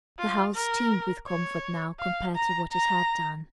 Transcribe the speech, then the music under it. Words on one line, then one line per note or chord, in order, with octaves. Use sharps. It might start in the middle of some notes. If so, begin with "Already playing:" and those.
The house teemed with comfort now, compared to what it had done.
F4
A#4
C#5
F5
A#5
A#5